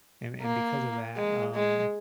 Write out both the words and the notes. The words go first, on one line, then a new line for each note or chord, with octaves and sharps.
and and because of that, um,
A#3
G#3
G#3